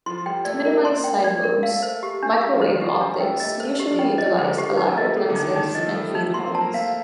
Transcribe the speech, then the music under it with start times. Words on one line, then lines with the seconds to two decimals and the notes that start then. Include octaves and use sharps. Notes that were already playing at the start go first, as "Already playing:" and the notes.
To minimize side lobes, microwave optics usually utilize elaborate lenses and feed horns.
0.06 F3 C6
0.26 G3 G5
0.45 A3 D5
0.58 A#3
0.65 A#4
0.72 C4
0.85 A#3 C6
1.04 G5
1.24 D5
1.43 A#4
1.63 A3 F5
1.82 C5
2.03 G4
2.23 D4
2.41 G3 F5
2.54 F3
2.61 C5
2.67 D#3
2.79 F3 G4
3.01 D4
3.20 A3 G5
3.34 G3
3.40 A3 D#5
3.60 C5
3.80 G4
3.91 F3
3.98 G3 G5
4.11 F3
4.18 D#5
4.25 F3
4.38 D3 C5
4.58 G4
4.72 G3
4.77 F3 D#4
4.91 A3
4.97 G3 D#5
5.16 A#3 A4
5.30 D3
5.36 D#4
5.42 D#3
5.56 D#3 D#4
5.75 F3 D#5
5.86 A3
5.95 G3 A4
6.15 A3 D#4
6.34 A#3 C6
6.47 C4
6.55 A5
6.61 A#3
6.73 A3 F5